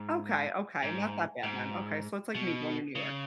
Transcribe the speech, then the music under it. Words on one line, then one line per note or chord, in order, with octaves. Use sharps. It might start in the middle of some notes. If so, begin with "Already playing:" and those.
Okay, okay. Not that bad then. Okay, so it's like me going to New York.
Already playing: G#2
G#2
G#2
B2
C#3